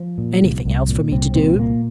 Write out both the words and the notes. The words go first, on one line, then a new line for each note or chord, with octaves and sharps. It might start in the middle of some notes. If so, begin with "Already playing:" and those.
"Anything else for me to do?"
Already playing: F3
A#2
C2
C2
A#2
C2 C4
A#2 C4
A#2 A#3